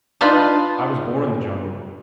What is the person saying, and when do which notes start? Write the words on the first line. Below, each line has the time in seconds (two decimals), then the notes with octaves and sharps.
I was born in the jungle.
0.21 D4 D#4 F4 B4